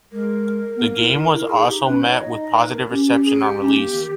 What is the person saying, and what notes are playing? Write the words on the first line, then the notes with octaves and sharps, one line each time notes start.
The game was also met with positive reception on release.
G#3 A#4
B3
A#3
E4
D#4
E4
D#4 G#4
D#4 G4
C#4 B4
D#4 C#5
D#4 D#5
A#4
B4
A#4
C#4 G4
G4
G#4
G4
C#4
A#3
D#3